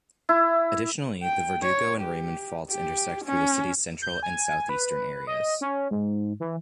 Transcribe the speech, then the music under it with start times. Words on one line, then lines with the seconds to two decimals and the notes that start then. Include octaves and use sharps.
Additionally, the Verdugo and Raymond faults intersect through the city's central and southeastern areas.
0.29 E4
1.23 G5
1.62 C#5
2.01 G4
2.71 G4
3.25 C#4
4.02 G6
4.23 G#5
4.69 B4
5.27 D#5
5.61 C#4
5.91 G#2
6.40 E3